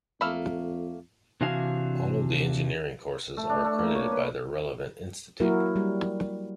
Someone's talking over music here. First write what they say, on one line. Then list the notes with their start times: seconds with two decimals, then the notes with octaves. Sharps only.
All of the engineering courses are accredited by their relevant institute.
0.21 F2 A3 A#3 B5 E6 F6
1.41 C3 E3 D4 F#4 F5 G#5
3.37 A3
3.49 D4
3.64 A3
3.79 A#3
3.95 C#5
4.12 B4
5.40 F#3 A#3 E4 F#4 A#4
5.76 G3